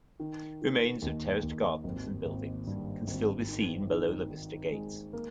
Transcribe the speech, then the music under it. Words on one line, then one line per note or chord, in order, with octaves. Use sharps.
Remains of terraced gardens and buildings can still be seen below the Vista gates.
D#3
D#3
D#2
D#2
G#1
G#1
G2
G#1
D#3
D#4
D#3
G#3
A#3